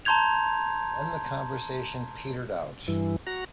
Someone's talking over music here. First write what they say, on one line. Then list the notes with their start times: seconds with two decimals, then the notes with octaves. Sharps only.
Then the conversation petered out.
0.05 A5 A#5 C6 G6 G#6 F7
2.88 G2 E3
3.27 F#4 A#5